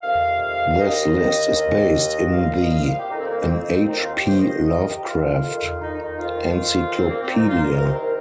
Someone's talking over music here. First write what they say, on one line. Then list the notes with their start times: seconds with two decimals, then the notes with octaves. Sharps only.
This list is based in the "An H. P. Lovecraft Encyclopedia".
0.02 F2 C3 D#3 F5
0.78 D#2 D#3 D#5
1.55 D#2 D#3
2.33 C2 A#2 F5
2.60 D#5
2.72 F5
2.84 F5
2.98 G4
3.10 F2 D#3 D#4
3.19 C4
3.29 A#3
3.40 C4
3.87 D#2 D#3 D#4
4.00 F4
4.13 G4
4.26 C5
4.39 D#5
4.64 F2 C3 D#3 D#5
4.78 A#4
4.90 G4
5.03 F4
5.41 F2
5.46 D#3
5.80 D#4
5.93 D#4
6.18 F2 D#3 F4
6.96 C2 A#2 C4
7.09 A#3
7.21 C4
7.34 D#4
7.48 F4
7.60 A#4
7.73 C2 C3 D#3 A#4
7.86 C5
7.99 A#4